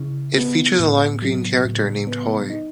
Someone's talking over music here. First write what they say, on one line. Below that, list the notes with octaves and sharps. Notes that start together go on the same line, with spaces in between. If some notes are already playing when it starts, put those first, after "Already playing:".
It features a lime green character named Hoi.
Already playing: C#3 E4
B3
A2
F#3
A2
B3
D#4